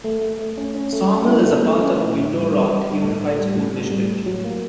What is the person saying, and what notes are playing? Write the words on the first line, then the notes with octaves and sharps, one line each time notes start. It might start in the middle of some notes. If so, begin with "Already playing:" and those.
Sawmill is a part of Window Rock Unified School District.
A3
A3
A3
C#4
C#4
A3
C#4
E4
C#4
A3
C#4
E4
A2
G3
G3
G3
G3
A2
A2
G3
A2
A2
G3
A2
F#3
A#3